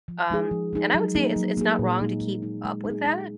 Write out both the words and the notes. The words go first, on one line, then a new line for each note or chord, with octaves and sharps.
Um, and I would say it's it's not wrong to keep up with that.
F3
G#3 D#4 G#4
F3
G#3 D#4 G#4
F#3
A#3 D#4 G#4
F#3
A#3 D#4 G#4
A#2
G#3 D#4
A#2
G#3 D#4
G#3
D#4
G#4
G#3